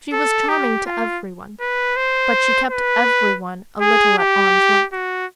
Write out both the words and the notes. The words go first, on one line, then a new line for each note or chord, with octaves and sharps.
She was charming to every one, but she kept every one a little at arm's length.
A4
G4
F4
B4
C5
B4
G#4
G4
F#4